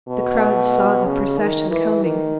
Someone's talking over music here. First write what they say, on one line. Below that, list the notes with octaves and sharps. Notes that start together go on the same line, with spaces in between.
The crowds saw the procession coming.
B2
C#3
D#3
E3
D#3